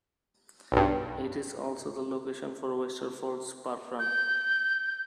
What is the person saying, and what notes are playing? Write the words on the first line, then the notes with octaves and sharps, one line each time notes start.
It is also the location for Westerfolds parkrun.
B1 G2
G6